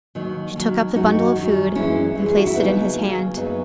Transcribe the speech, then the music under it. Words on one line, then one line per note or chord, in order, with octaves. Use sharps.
She took up the bundle of food and placed it in his hand.
D#2 D#3 F#3
D#2 D#3 F#3
F#2 D#3 F#3 D#4 F#4
F#2 D#3 F#3
F#2 E3 G#3 C#4 E4
F#2 E3 G#3
G#4
F#4
E4
D#2 C#3 F#3 B3 D#4
D#2 C#3 F#3
F#2 C#3 F#3 B3 D#4